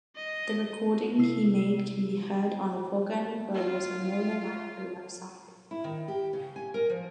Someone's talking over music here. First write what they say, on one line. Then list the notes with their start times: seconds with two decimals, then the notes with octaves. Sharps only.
The recording he made can be heard on the Vaughan Williams Memorial Library website.
0.17 D#5
1.18 C3 E4 E6 C7
3.54 F4
5.71 E4
5.84 D#3
6.08 G4
6.33 C#3
6.56 G#5
6.74 A#4
6.90 F3